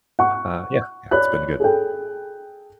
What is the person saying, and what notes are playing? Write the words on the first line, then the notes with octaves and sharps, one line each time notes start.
uh, yeah, yeah, it's been good.
F#5 C#6
C#5 D5 B5 F#6
G#4 A4 G5